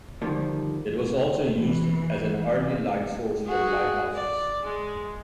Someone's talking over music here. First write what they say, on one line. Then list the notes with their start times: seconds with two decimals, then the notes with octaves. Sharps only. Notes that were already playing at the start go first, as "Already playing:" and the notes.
It was also used as an early light source for lighthouses.
0.22 D3 D#3 F3 G3 A#3
1.54 E3
3.46 F#4 G#4
4.15 D5
4.63 G#3